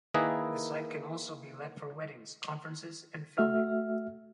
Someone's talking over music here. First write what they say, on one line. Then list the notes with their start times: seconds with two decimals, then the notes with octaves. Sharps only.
The site can also be let for weddings, conferences, and filming.
0.14 D#3 A#3 E4 G#4 B4 D#5
3.38 A3 F#4 E5 F6